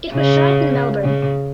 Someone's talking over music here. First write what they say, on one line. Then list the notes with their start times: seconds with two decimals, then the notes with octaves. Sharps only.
It was shot in Melbourne.
0.14 C#3
1.04 C#3